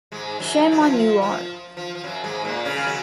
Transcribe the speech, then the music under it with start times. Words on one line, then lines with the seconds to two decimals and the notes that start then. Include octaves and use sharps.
Shame on you all.
0.12 G#2 G#3
0.39 F#2 F#3
0.72 F#3
0.80 F3
1.22 F3
1.77 F3
1.95 F3
2.04 F#2 F#3
2.24 G#2 G#3
2.44 A#2 A#3
2.65 C#3 C#4
2.76 G#3
2.86 F#3